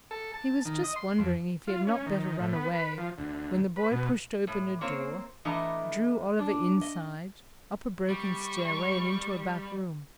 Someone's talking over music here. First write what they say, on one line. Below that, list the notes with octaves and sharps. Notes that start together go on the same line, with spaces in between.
He was just wondering if he had not better run away when the boy pushed open a door, drew Oliver inside, up a broken stairway and into a back room.
A4
A5
D#3
D#5
C6
F2
F4
C#4
D#3
A2
B3
B4
F3
D2
B4
B2
A2
A#3 C4 C5 C#5
A2 E3 A3 D4 D#5 A#5
D4
D#5
G3 C#6